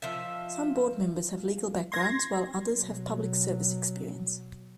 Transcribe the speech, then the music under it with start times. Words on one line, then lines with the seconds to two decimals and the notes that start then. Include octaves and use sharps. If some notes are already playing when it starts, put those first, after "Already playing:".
Some board members have legal backgrounds while others have public service experience.
0.02 F3 D#4 E5
1.92 C6 G#6 A#6
2.74 B2 F#3